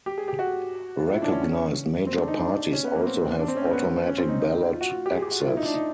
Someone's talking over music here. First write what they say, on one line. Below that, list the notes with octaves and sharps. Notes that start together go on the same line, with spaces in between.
Recognized major parties also have automatic ballot access.
G4
G#4
G4
F#4
F4
E4
D4
C#4
C4
D4
D#4
D4
C#4
B3
A#3
C4
D4
C4
C#4
C4
B3
C#4
C4
D#4
D#4
F4
F#4
F4
G4
G#4
G4
F#4
F4
E4
D#4
D4
D#4